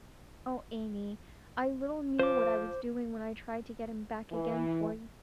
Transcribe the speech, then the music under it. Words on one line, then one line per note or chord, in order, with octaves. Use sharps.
Oh, Amy, I little knew what I was doing when I tried to get him back again for you.
F3 C5 D6
E3